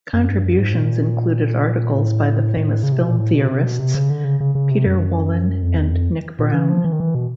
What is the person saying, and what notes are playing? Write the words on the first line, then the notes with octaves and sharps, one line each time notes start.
Contributions included articles by the famous film theorists Peter Wollen and Nick Browne.
F#2
G2
F#2
G#2
A#2
A2
A2
C#3
C3
B2
A#2
A2
B2
C3
B2
C3
C#3
D3
C#3
C#3
C#3
C3
F#2
F2
E2
F2
A#2
E3
F3
E3
D#3
E3
B2